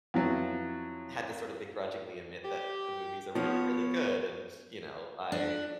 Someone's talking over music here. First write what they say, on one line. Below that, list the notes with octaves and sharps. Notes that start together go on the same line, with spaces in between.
had to sort of begrudgingly admit that the movies are really, really good. And, you know, I
F2 E3 F#3
G4
F3 B3 C#4 C#5
D4